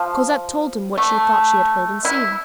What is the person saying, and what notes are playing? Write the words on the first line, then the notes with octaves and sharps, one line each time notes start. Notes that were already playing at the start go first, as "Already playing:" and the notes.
Cosette told him what she thought she had heard and seen.
Already playing: F3
A3
E4